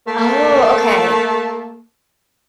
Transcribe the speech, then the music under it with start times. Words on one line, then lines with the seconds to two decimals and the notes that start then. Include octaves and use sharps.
Oh, okay.
0.06 A3 A#3